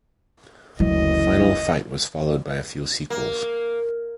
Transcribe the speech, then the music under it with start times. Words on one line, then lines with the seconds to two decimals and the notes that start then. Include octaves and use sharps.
"Final Fight" was followed by a few sequels.
0.80 F#1 D2 E3 F#3 D#5
3.10 A#3